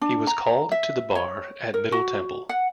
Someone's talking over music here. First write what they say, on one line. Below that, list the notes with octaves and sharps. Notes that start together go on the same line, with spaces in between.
He was called to the Bar at Middle Temple.
D4
A#5
E5
C#5
A#4
F#4
F#5